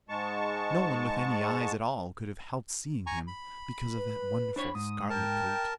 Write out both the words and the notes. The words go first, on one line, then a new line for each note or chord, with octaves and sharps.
No one with any eyes at all could have helped seeing him, because of that wonderful scarlet coat.
G#2 G#3 A5 C#6
G#5 A#5 C#6
B5
B4
D4 C5 C#5 B5
G#2 D#6
A#4 G5 A5